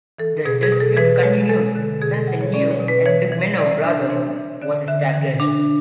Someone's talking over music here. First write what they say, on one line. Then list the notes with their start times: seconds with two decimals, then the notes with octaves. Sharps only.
The dispute continues since a new "Esphigmenou brotherhood", was established.
0.18 E3 A4
0.45 B2 G#4
0.63 G#4
0.72 B2
0.80 A4
0.97 E3 B4
1.23 G#3 C#5
1.49 G#3 A4
1.75 D3
2.01 B2 G#4
2.14 A4
2.28 F#3
2.41 C#5
2.54 C#4 D5
2.71 C#5
2.80 B2
2.88 B4
3.06 E3 C#5
3.32 E3
3.58 E3 D5
3.84 D4 E5
4.10 E3 C#5
4.36 E3
4.62 D3 D5
4.88 D3 E5
5.14 E3
5.40 D4